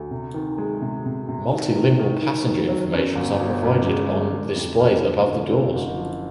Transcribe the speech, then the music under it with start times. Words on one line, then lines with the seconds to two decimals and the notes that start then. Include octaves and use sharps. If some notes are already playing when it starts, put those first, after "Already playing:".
Multilingual passenger informations are provided on displays above the doors.
Already playing: D2
0.11 C3
0.34 D#3
0.58 G#3
0.82 C3
1.06 C3
1.29 C3
1.51 D#3
1.76 D#3
1.99 D#3
2.22 D#3
2.46 D#3
2.69 F#3
2.93 F#2
3.15 G1
3.40 G1
3.63 G1
3.86 G#3
4.10 G#3
4.33 D3
4.56 F2
4.80 A#3
5.03 D3
5.27 D3
5.50 D3
5.74 F#1
5.97 F3